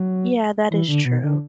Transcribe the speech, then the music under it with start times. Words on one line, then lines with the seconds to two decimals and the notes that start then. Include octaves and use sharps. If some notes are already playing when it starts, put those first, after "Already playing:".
Yeah, that is true.
Already playing: F#3
0.70 E3
0.88 D3
1.05 B2
1.23 D3